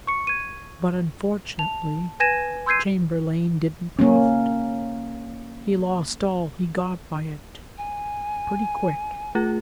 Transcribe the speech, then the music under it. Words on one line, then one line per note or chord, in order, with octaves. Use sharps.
But, unfortunately, Chamberlayne didn't profit--he lost all he got by it, pretty quick.
C#6 C#7
G#6 D#7
A5 F7
B4 G#5 G#6 A#6 D#7 E7
C6 E6 G6 G#6 C7 D#7
A#3 C#4
G#5
A3 F4 G#4